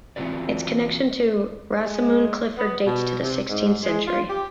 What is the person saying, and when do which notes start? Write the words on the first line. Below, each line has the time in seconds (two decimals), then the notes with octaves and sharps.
Its connection to Rosamund Clifford dates to the sixteenth century.
0.16 E3 C4 F4 F#4 B4 D5
1.86 G#3
2.57 B3
2.85 B2
3.22 C3
3.49 G#2
3.83 G#3
4.06 F4
4.29 G4